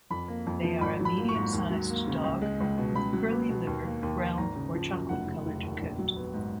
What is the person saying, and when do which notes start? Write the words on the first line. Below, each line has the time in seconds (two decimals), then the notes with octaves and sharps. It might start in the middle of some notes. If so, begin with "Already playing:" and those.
They are a medium-sized dog, with a curly liver, brown, or chocolate colored coat.
0.10 F2 B5
0.28 A#3
0.47 F2
0.63 F3
0.81 G#1 B5
0.99 F#3
1.05 B5
1.18 A#3
1.29 C#6
1.35 G#2
1.53 D#2
1.70 F#3
1.89 A#3
2.07 C#3
2.24 C#2
2.42 G#3
2.61 C#2
2.78 B2
2.96 C#2 B5
3.13 F#3
3.31 B3
3.49 B2
3.67 D#2
3.85 A#3
4.03 D#2
4.20 D#3
4.38 G#1 A#5
4.56 C#3
4.74 F3
4.92 F#2
5.09 F1 F#5
5.27 C#3
5.46 F1
5.63 D#2
5.82 A#1
5.98 F#3
6.16 B3
6.34 G#2